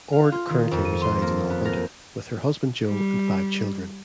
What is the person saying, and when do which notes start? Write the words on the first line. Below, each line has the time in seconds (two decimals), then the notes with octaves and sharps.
Ord currently resides in Alberta, with her husband Joe and five children.
0.12 F5
0.32 F4
0.50 D#3
0.71 F2
0.85 D#7
1.02 C6
1.22 A#3
1.50 B3
1.65 A#4
2.86 G3